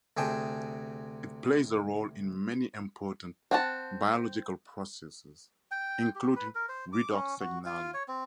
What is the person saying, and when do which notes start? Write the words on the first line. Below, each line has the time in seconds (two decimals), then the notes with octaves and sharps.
It plays a role in many important biological processes, including redox signaling.
0.17 D2 C3 G#4 G5 A5
3.51 C4 F#5 A5
5.71 G5
6.15 G4
6.36 B4
6.55 A#4
6.69 C5
6.93 D6
7.11 C#4
7.40 F#4
7.65 F4
7.94 C#5
8.08 C4